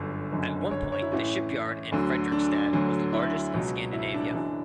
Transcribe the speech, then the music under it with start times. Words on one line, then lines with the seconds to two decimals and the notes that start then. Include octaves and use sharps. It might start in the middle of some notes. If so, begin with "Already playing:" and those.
At one point the shipyard in Fredrikstad was the largest in Scandinavia.
Already playing: G1 F#2 D3
0.32 F#1 F#2 D3
0.71 C#5
0.92 C#5
1.02 E4
1.12 A1 A2 E3 C#4
1.92 D2 D3 F#3
2.32 D4
2.73 D2 D3 F#3
3.13 E4
3.54 C#2 B2 F#3
3.93 E4
4.14 D4
4.33 F#1 F#2 E3 D4